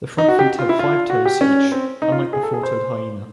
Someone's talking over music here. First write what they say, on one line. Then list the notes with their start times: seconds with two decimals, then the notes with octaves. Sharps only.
The front feet have five toes each, unlike the four-toed hyena.
0.18 D#4
0.28 F#4
0.39 G4
0.59 F4
0.69 E4
0.79 F4
1.10 F#4
1.25 G4
1.41 C#4
1.72 C4
2.02 D#4
2.12 F4
2.33 G#4
2.43 A4
2.54 G#4
2.63 C5